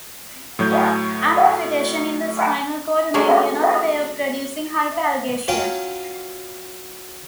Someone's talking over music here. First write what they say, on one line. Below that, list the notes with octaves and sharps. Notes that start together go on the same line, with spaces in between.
Amplification in the spinal cord may be another way of producing hyperalgesia.
A2 F#3 C#5 G6
F#3 G#3 A3 C#4 D4
F#3 C#4 F4 C#5 G5 C#6